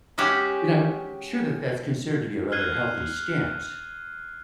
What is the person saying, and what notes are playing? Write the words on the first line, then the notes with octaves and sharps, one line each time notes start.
and I'm sure that that's considered to be a rather healthy stance,
G#3 C#4 F#4 G4
F6 F#6 G#6 C7 D#7